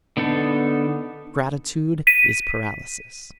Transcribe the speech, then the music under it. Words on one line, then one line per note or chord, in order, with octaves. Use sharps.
Gratitude is paralysis.
D3 B3 D#4 A4
B6 D#7